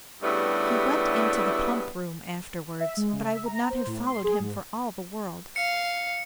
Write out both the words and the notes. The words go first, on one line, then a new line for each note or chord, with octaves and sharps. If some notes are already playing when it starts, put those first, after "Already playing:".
He went into the pump-room afterwards; but I would not have followed him for all the world.
G2 C#3 G3 A3 B3 E4
E5
G#3
C#3
E5
A#5
C5
A2
C6
G#4
G#2
F5 C#7